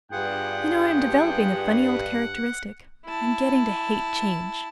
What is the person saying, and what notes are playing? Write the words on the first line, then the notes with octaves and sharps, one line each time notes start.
You know I am developing a funny old characteristic; I am getting to hate change.
G2 G3 B3 F4 G#4 F#5 G5
E4 A5